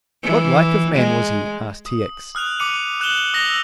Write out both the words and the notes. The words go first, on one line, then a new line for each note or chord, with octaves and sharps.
"What like of man was he?" asked T. X.
E3
G#3
D#6
D#6 F6 F#6 F7
D6 F6 C#7 D#7 F7
D#6 F#6 E7 F#7 G7
D#6 A#6 F7 G7
E6